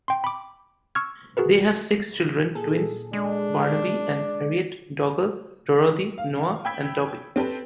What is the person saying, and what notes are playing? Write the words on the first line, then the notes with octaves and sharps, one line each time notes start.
They have six children, twins Barnaby and Harriet, Dougal, Dorothy, Noah and Toby.
G5 C6
B5 D6
C#6 E6 F6 G#6
F#4 G#4 A#4 B4
A#2 G#4 A4
G#3 D4
F5
G5 B5 E6 G#6 B6
C4 G4 A4 B4